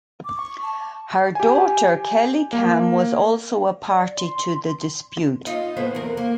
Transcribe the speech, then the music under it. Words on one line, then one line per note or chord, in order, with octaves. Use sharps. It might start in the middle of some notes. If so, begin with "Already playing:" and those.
Her daughter Kelly Kam was also a party to the dispute.
D6
C#6
A5
G4 G#5
A#3
D5
C6
D#4 F4 D#5
A2 B3 C5
E2 A#4
A#3